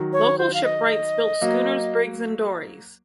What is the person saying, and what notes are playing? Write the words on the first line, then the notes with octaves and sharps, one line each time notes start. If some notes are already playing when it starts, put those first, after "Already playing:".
Local shipwrights built schooners, brigs and dories.
Already playing: D#3 F#3
C#5
C5
F5
D#5
F#3 A#3